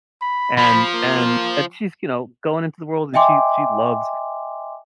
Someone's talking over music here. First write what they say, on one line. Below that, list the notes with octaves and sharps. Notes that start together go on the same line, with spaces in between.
And and and she's, you know, going into the world, and she she loves
B5
F3 B5
A#3
D#5 E5 G5 G#5 C6 D6